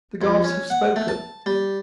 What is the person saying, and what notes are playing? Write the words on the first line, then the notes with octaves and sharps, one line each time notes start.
The gods have spoken.
F2
C#4
F#5
A3
A5
G3